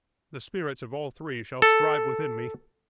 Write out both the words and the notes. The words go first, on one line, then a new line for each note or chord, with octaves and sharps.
'The Spirits of all Three shall strive within me.
A4